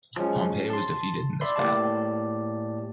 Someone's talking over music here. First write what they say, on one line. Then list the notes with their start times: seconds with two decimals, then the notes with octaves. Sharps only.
Pompey was defeated in this battle.
0.17 F3 F#3 G#3 C#4
0.70 A5 C6
1.41 D5 E5 B5 C6
1.56 A2 A#3 G4 D5 A5